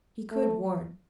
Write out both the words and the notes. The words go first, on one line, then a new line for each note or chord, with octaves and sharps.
He could warn.
A3